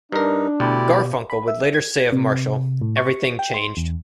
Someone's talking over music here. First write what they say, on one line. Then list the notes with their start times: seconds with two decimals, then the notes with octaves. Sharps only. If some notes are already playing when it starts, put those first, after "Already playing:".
Garfunkel would later say of Marshall, Everything changed.
0.12 G2 D4 D#4 A#4
0.60 D2 B2 E4 G4 D5
1.30 B5
1.48 E5
1.74 G#6
2.12 C3
2.82 A2
2.97 C#6
3.39 G5
3.54 C6
3.77 E2